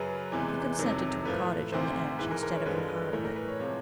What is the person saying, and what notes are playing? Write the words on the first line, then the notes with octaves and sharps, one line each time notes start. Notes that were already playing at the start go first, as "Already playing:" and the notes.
He consented to a cottage on the edge, instead of in the heart of it.
Already playing: F#2 C#3 F#3 B4
E2 C3 E3 G#3
F2 C3 D#3 F#3
A2 F3 A3 B4
D2 C3 D#3 C5
G#2 E3 G#3 B4
A#4
A#4
C#5
G2 D3 F3 G#3 B4
A#4
B4
A2 E3 A3 A#4
A#4
B4
C#5
C3 F3 G#3 C#5